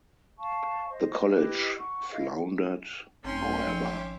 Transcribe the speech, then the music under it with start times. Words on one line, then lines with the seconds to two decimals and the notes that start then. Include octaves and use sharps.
The college floundered, however.
0.38 F5 A5 C#6
0.90 C5 D#5
1.31 E4 G4 B4 D#5
1.78 F#5 C#6
2.10 E4 D#5 F5
3.25 G#1 F#2 A3 C4 C#4 D#4 G5 C6
3.67 F3 D#4 C#5 E5 D6